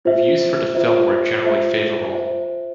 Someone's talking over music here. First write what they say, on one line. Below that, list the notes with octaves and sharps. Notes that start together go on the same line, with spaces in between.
Reviews for the film were generally favourable.
F4 C5 E5
F4 C5 E5
F4 C5 E5
F4 C5 E5